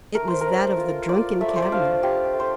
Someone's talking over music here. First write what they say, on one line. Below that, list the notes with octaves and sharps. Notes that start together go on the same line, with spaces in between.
It was that of the drunken cabman.
A3 A#4
C5
A#4
D4
F4
F4 D5
A3 E5
D5
C5
D5
D4 F5
F4 G4
A3
C5